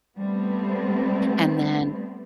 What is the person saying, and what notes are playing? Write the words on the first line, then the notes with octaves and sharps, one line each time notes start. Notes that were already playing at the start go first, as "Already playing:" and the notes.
and then,
G3 A3 B3 C4